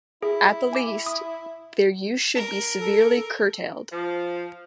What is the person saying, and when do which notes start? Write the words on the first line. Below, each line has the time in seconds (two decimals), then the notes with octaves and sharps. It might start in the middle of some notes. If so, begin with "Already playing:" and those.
At the least, their use should be severely curtailed.
0.22 E4 G#4
0.73 G#5 D6
1.06 D#6
2.35 A#4
2.79 A4
3.91 F3